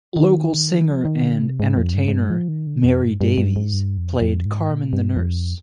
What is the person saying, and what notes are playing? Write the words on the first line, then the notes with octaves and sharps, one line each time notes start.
Local singer and entertainer Mary Davies played Carmen the Nurse.
D#3
F3
D#3
D3
C3
G#2
F2
G2
G#2
G2
F3
D#3
D3
F2
G2
G2
G2
G#2
G2
F2
F2
G#2
A#2
G2
F2